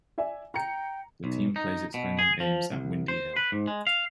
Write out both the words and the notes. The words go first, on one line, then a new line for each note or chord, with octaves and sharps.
The team plays its home games at Windy Hill.
D5 E5 G#5
G5 A#5 C#7
B1
D#4
B2
G#4
F3
C2
C5
B4
G#2
G#3
F5